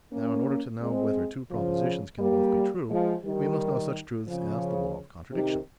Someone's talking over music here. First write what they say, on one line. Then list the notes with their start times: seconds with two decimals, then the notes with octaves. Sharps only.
Now in order to know whether two propositions can both be true, we must know such truths as the law of contradiction.
0.11 A#3 C#4
0.80 G#3 C4
1.50 C#3 F3
2.19 G3 A#3
2.88 F3 G#3
3.23 D#3 G3
4.27 C#3 F3
5.32 C3 D#3